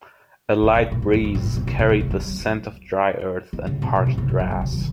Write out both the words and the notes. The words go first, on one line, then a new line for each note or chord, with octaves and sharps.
A light breeze carried the scent of dry earth and parched grass.
C#3
C3
A#2
F#2
F2
F#2
A2
A#2
C3
C#3
C#3
D#3
A3
F#3
D#3
C#3
C3
A#2
C3
C#3
F3
F#3
C#3
C#3
D#3